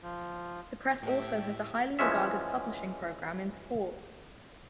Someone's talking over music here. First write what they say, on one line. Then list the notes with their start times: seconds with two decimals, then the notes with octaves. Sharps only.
The press also has a highly regarded publishing program in sports.
0.03 F3
1.03 A2 G4 E5 G5
1.99 E3 F3 G#3 C#4 E5